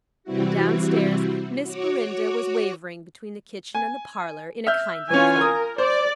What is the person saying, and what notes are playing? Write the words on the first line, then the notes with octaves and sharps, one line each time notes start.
Down-stairs, Miss Belinda was wavering between the kitchen and the parlor, in a kindly flutter.
C3 E3 G3 C4 E4 F#4
F#4 C#5 D6
G#5
E5 F6 G6
E3 C#4 F4 C#5 G#5
A#4 D#6
C5 D5